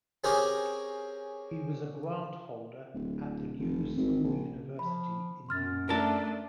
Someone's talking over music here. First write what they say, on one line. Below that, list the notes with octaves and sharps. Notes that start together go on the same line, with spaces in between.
He was a grant holder at the New School University in New York.
C4 C#4 G4 G#4 A#4 C5
D1
F1
G#1
A#1
F3 B5
F#2 C6 F6 A6
A3 D4 A#4 A5